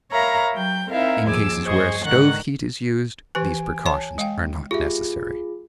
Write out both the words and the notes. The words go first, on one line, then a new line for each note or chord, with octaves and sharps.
In cases where stove heat is used these precautions are not necessary.
A#4 C#5 E5 F5 A#5 B5
F#3 G5 G6
C4 D#4 E4 A#4 E5 F5
D#2 F3 G#4 G#5 D6 E6
G2 G#4 C5 D#5 C#6
G#2 D3 D#3 F#5 C#6 F#6
E3 G4 B4 G#5
C#5 A5
G#3 F5 G5
F4 G4 G#4 E5